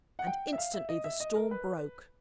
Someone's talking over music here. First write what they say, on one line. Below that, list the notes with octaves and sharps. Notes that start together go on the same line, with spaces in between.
And instantly the storm broke.
F#5
G5
E5
F5
E5
D#5
E5
D#5
A#4
B4